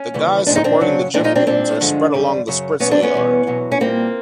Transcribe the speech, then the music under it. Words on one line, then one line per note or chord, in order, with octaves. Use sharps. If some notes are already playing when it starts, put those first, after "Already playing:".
The guys supporting the jib-booms are spread along the spritsail yard.
Already playing: C#4
D#2 C#3 E3 G3
A#2 F3 G#3 D4
D#4
C4 D4
F#2 C#3 F#3
A#2 F3 G#3 C4 D4
D#4 F4
C4 D4
A#2 G3 C4 D4
G2 D3 F3 G#3
F#2 D3 G3
F#2 C#3 F#3
E2 B2 F#3 B3 C#4
C4 D4
B3 C#4
E2 B2 G3
E2 B2 F#3
C#4
A#2 G3 A#3 C4